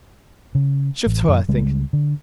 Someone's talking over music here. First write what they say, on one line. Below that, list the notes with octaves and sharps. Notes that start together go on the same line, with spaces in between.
'Shift ho, I think.
C#3
A1
F#2 D#3
C#2 C#3 G3 G#3
D3